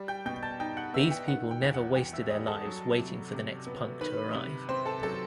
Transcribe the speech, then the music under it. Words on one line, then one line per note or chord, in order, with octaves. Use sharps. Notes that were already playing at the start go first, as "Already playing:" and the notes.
These people never wasted their lives waiting for the next punk to arrive.
Already playing: G3
G5 G6
B2 G5 G6
A5 A6
D#4 G5 G6
F#5 F#6
B3 E5 E6
G5
D#3 F#5
G5
E2
F#5
E2 G5
E5 E6
G3 D#5 D#6
A4 A5
F#3
C3
C3
B3
D#3 B4 B5
C3
C4 C5 C6
A4 A5
F#3 A4 A5